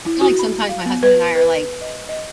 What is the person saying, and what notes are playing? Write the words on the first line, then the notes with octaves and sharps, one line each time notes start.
I feel like, sometimes, my husband and I are, like,
E4
F#4
B5
F5
B3
B4
B4
D#5
D#5